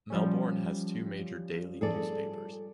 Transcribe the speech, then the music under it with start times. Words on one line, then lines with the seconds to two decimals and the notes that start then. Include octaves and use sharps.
Melbourne has two major daily newspapers.
0.10 F3 G3 C#4
1.81 G#4 A4 D5